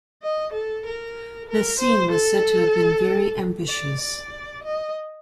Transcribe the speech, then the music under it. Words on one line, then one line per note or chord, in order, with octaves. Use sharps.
Messene was said to have been very ambitious.
D#5
A4
A#4
A#4
C5
A4
D5
D5
D#5